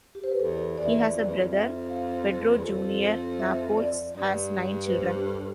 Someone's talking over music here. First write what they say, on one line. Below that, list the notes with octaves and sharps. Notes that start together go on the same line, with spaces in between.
He has a brother, Pedro Junior Napoles has nine children.
G4
C5
B4
E2 A4
E2 D5
E5
D5
F2 D5
E2
F2
E5
F5
E2
F2 A4
C5
E5
D5
G2 D5
B4
C5
G4
A4